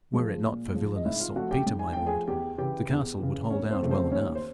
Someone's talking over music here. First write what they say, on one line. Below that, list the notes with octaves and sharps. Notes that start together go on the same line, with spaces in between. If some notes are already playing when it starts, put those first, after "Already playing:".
'Were it not for villanous saltpetre, my lord, the castle would hold out well enough.'
F3 G#3
A#2
F3 G#3
D#5
G#2 E4 E5
F4 F5
F3 A3 F#4 F#5
G4 G5
G#2
G#5
F3 A3 G5
G#4 G#5
E2 G4 G5
C#3 E3 G4 G5
E2
C#3 E3
D#2 C#4 C#5
C4 C5
C#3 F3 A3
C4 C5
D#2 C#4 C#5
C5